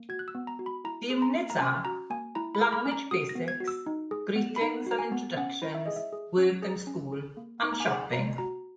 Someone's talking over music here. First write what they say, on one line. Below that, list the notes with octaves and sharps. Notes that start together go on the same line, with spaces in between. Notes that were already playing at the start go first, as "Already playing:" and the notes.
The units are: Language Basics, Greetings and Introductions, Work and School, and Shopping.
Already playing: A#3
F#4 G#6
F#6
E6
B3
A#5
F#4
B5
E4 A#5
G#4
A#5
A#3
A#5
C#4 G#5
F#4 A#5
A#3 G#5
E4 A#5
B5
G#4
B5
C#4
A#5
F#4 D#6
A#6
B3
G#6
F#4
E6
D#4
G#4
B3
B5
D#4 A#5
F#4 A#5
G#5
B3
C#4 F#5
E4
E5
G#4 D#5
E5
G#4
C#4
G#4
C#4
G#4
A#3
D#4 C#6
A#5
G#5
G#4 F#5
A#3 A#5
F#4 A#5